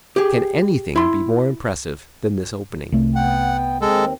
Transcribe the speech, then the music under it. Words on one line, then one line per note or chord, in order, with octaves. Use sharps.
Can anything be more impressive than this opening?
G4 G#4
E4 C6
C2 A3
B3 F#5 G5
D#2 G#3 C4 A4